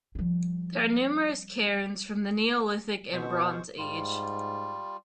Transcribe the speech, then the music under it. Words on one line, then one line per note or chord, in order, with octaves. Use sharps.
There are numerous cairns from the Neolithic and the Bronze Age.
F3 G3
B2 G#3 C5 C#6
G#2 G3 F4